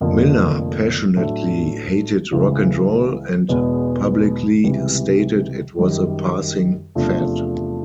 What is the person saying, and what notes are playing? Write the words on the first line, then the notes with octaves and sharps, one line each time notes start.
Miller passionately hated rock and roll and publicly stated it was a passing fad.
F1 F2 D3 F3 A#3
A2 F#3 A3 D4
C#2 C#3 E3
E2 B2 G#3 B3
C#2 C3 E3 G3
F#2 D#3 G3
E2 C3 F3 A3 D4